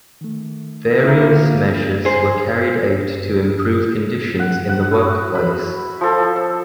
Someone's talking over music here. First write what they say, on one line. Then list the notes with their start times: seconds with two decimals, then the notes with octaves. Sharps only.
Various measures were carried out to improve conditions in the workplace.
0.21 D#3 A3
1.04 A#1 A#3 E4 A#4
2.05 G#4 C5
4.39 F#5
4.69 F#5
4.91 E4 F#4
5.35 B5
6.01 F3 A4
6.36 E6